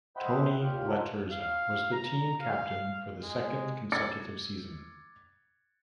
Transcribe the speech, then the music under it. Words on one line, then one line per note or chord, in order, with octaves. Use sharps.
Tony Laterza was the team captain for the second consecutive season.
C5 D#5 E5 F#5 G5 B5
D#2 A#2 F4 G4 F6
G#3 D4 F4 A#4 C#5 F#5
F5
A#5
F5
G#3
D6 E6 G#6 A6 C#7